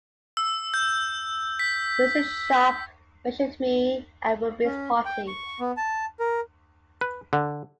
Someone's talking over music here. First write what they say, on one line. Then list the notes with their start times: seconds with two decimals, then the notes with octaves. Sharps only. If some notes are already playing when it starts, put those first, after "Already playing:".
Mr. Sharpe measured me at Ruby’s party.
0.37 E6
0.74 G6
1.59 B6
4.64 C#4
5.05 G5
5.28 C#6
5.60 B3
5.77 A5
6.20 A#4
7.01 B4
7.33 D3